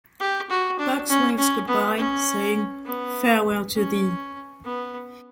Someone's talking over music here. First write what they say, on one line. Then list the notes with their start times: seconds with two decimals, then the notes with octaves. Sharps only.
Bugs waves goodbye, saying: "Farewell to thee".
0.20 G4
0.50 F#4
0.79 D4
1.09 C#4
1.38 C#4
1.68 B3
1.97 C#4
2.86 B3
3.75 C#4
4.64 B3